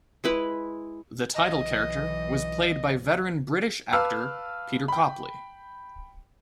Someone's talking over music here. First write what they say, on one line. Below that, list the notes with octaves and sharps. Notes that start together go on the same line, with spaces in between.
The title character was played by veteran British actor Peter Copley.
G#3 E4 B4
B1 E3 D#5
B4 F5 A5 D6 E6 F6
G5 B5